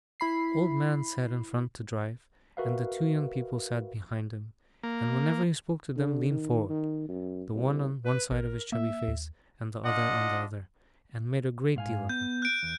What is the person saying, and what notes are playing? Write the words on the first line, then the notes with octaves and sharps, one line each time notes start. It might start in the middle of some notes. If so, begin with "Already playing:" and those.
The old man sat in front to drive, and the two young people sat behind him, and whenever he spoke to them leaned forward, the one on one side of his chubby face and the other on the other, and made a great deal of him.
E4 B5 C7
F#4 A#4 B4 E5 F5
A#3
D3
D#3
D#3
F#2
C2
B4
A1 A#4
A#3 E5
D#2
D4 F4 D#5 F#5
G#2 F5 G#5
B3 G6
F#6 D7
E2